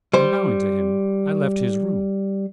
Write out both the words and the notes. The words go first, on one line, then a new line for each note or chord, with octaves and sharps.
And bowing to him I left his room.
G3 C5